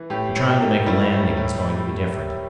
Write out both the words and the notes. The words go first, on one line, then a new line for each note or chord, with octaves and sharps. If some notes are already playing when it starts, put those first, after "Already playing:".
But trying to make a landing was going to be different.
Already playing: E3
A2 G4
A2
G4
A#3
G3 E4
A2
A2